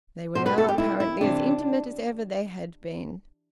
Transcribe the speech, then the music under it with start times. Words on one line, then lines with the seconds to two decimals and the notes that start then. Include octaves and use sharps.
They were now apparently as intimate as ever they had been.
0.35 B2 C5
0.46 B4
0.58 A4
0.68 G4
0.78 E4
1.00 E4
1.21 C3 E3 D4